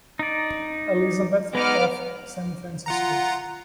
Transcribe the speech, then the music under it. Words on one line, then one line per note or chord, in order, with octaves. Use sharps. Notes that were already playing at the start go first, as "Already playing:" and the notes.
Elizabeth of San Francisco.
D#4 D5
G#3 B3 D#4 D6 F6
F4 F#5 A#5